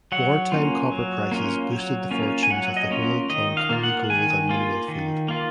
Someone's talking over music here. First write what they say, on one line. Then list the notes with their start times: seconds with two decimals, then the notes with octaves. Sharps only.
Wartime copper prices boosted the fortunes of the whole Cloncurry Gold and Mineral Field.
0.12 F#3 F#5
0.52 A#3 C#4 F4
0.92 F#3
1.31 A#3 C#4 F4
1.72 F#3
2.11 A#3 C#4 F4
2.43 G#5
2.50 F#3 F#5
2.77 D#5
2.91 A#3 C#4 F4
3.29 D#3 D#5
3.57 F5
3.69 A#3 F4
3.83 F#5
4.09 D#3 G#5
4.49 A#3 F4
4.88 D#3
5.28 A#3 F4